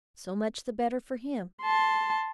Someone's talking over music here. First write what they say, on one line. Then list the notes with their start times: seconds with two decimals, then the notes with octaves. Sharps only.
So much the better for him.
1.63 A5 C6